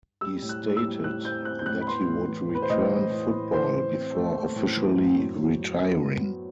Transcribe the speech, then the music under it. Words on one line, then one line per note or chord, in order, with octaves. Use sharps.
He stated that he would return football before officially retiring.
G3 E6
A2
F#6
A2
E6
G3
A2 F#6
C4 G6
C4 F#6
G6
A2 F#6
B5
B3 C6
A2
E3
A2
B4
C5
A2 D#5
E3
A2
A2
E3 C5
E3
C4
A3
A3
A2
E3
A2
F#2
F#3
F#3
B3
B3
F#3